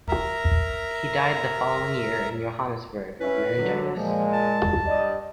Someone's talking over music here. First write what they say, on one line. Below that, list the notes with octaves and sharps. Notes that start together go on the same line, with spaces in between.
He died the following year in Johannesburg of meningitis.
A#4 E5 A#5
C#4 E4 B4
D3 F#3
A#2 F3 G#3
A5
G2 D5 D#5